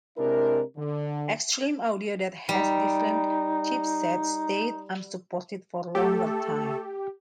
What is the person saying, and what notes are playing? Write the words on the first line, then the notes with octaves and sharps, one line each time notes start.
Xtreme Audio that has a different chipset stayed unsupported for longer time.
C3 G#3 D4 E4 A#4
D3
G3 D#4
A3 G4 A4